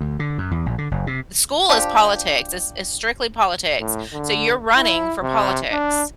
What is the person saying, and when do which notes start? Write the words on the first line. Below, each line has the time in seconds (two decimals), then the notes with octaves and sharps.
school is politics, it's it's strictly politics, so you're running for politics.
0.01 D2
0.19 D3
0.38 F#2
0.51 E2
0.66 A#1
0.78 D3
0.91 F#1
1.07 C3
1.69 F3 D4 G4
3.80 A2
4.13 D3
4.76 E4
5.22 C3
5.71 D4